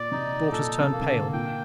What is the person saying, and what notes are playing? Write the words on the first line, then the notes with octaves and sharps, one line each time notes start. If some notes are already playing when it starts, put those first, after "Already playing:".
Daughters turn pale.
Already playing: A#2 D5
C3 D#4
A#2 A4
C3
A#3
C3
D3
A#2 G5